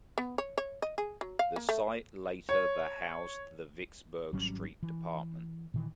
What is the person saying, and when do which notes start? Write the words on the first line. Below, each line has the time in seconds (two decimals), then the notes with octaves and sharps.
The site later the housed the Vicksburg Street Department.
0.18 B3
0.38 C#5
0.58 C#5
0.82 D#5
0.98 G#4
1.21 F#3
1.39 F5
1.56 A#3
1.69 A3
2.49 C#5
4.33 G#1 F#3 G3 C#4
4.83 E3
5.74 A#2 D#3 E3